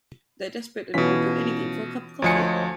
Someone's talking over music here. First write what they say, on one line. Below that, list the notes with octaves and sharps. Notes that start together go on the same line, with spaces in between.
They're desperate and will do anything for a cup of coffee.
B2 E3 C#4 F4 B6
D2 F3 C#5 D#5 G#5 C#7